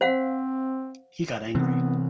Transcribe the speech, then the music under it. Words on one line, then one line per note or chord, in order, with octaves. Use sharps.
He got angry.
C4 C5 F5 F#5
C3 E3 B3 C4